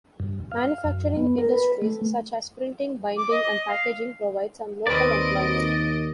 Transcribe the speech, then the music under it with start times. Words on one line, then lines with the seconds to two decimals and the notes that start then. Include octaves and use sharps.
Manufacturing industries such as printing, binding and packaging provide some local employment.
0.20 G2
0.52 F5
0.84 F#2
1.17 B3
1.38 A#4
1.54 B4
1.82 A3
3.17 D6
3.31 D#5
3.68 F5
4.87 D#2 C4 A#4 B4 D5 D#5 D7